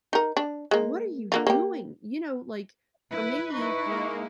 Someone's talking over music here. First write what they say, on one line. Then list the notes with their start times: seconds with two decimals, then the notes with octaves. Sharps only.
"What are you doing?" You know, like, for me,
0.13 D#4 A#4
0.37 D4
0.71 G#3 A#3
1.32 D3 A#3 F4
1.47 A#3 G4
3.11 E4 B4
3.53 D#4 E4 C#6
3.85 G#3 A#3